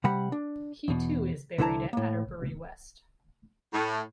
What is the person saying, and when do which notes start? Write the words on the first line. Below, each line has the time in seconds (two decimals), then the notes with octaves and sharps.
He too is buried at Adderbury West.
0.04 C3 G3 F#5 B5
0.32 D4
0.88 E2 B2
1.58 C2 D3 E4 C5 A5 A#5
1.93 A2 A#3
3.73 A2